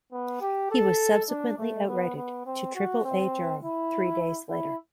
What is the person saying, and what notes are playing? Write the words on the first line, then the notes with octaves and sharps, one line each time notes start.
He was subsequently outrighted to Triple-A Durham three days later.
B3
G4
A4
D4
A3
B3
B3
C4
F#4
C4
E4
E4